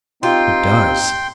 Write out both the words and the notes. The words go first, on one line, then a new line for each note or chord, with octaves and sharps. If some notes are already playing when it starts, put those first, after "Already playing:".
"It does."
C4 D#4 F4 G4 G5 C6